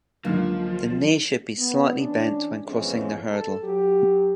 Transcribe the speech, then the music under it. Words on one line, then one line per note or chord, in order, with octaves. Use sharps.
The knee should be slightly bent when crossing the hurdle.
C#2 D3 F3 F#3 A#3 F6
B3
E3 C#4 D4
F2 E3 G#3 B3 C#4
A4
F#3 G4